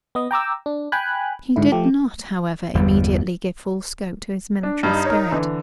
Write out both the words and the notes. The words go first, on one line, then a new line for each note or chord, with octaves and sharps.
He did not, however, immediately give full scope to his military spirit.
B3 D#5
G5 A#5 D6 E6
D4
G5 G#5 B5 F#6
G#2 D3 E4
F3 A3 G4
G1 E2 G3 B3
D4
G2 D#4
A#4 C#5
D3 E3